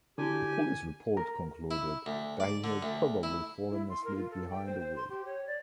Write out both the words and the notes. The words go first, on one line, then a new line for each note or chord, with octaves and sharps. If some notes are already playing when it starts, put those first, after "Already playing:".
The police report concluded, that he had probably fallen asleep behind the wheel.
D3 C4 E4 F#4 G4 G#5
A#4
E4
D2
D5
D3
D2
E4
E4
C6
A#4
F4
A4
G5
C5
C5
C6
G4
C#5
D5